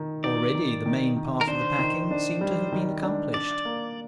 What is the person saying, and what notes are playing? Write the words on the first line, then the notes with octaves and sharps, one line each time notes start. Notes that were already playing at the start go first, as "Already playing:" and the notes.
Already the main part of the packing seemed to have been accomplished.
Already playing: D#3 D#4
D#4 D5
D#3
D#3
D#3
A#4
D4 C5
D#3
D4
G3
D#3
D4
D4 D5
A#3